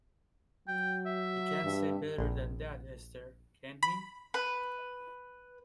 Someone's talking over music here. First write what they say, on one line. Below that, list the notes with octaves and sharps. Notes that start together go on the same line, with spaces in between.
He can't say better than that, Esther, can he?
F#3 G5
E5
G2
A#1
B5
B4